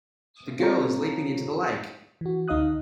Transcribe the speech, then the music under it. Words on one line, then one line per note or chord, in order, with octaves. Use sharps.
The girl is leaping into the lake.
C4 F4 G4 A4 C#5 A#5
E3 F#4
D2 D#4 D#5 F5 D#6 F#6